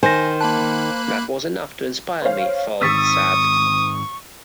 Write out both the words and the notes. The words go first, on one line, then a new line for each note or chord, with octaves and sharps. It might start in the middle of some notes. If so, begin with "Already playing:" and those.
"That was enough to inspire me", Fuld said.
D#3 C5 G#5 A#6
A#3 A5 B5 F#6
C5 C#5 F5
G#2 D#3 C4 C#6 D#6 E6 A6 B6